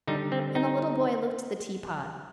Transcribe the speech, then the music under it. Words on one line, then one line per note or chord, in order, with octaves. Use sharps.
And the little boy looked at the tea-pot.
D3 G3 D#4
C4
D#4